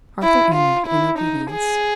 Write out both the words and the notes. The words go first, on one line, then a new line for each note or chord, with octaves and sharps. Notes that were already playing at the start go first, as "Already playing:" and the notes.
Arthur entered, in obedience.
E4
F4
E4
D#4
G#4